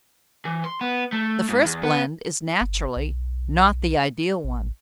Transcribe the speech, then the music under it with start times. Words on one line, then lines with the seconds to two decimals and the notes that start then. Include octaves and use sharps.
The first blend is naturally not the ideal one.
0.45 E3
0.64 C6
0.81 B3
1.12 A3
1.49 G#2
1.65 E2
1.84 B3
2.61 G1
2.96 B1
4.44 A1